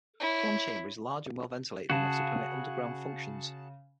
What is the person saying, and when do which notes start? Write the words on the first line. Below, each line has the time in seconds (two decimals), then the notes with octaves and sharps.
One chamber is large and well-ventilated enough to permit underground functions.
0.20 E4 C#5
1.90 C#3 F#4 G#4 A5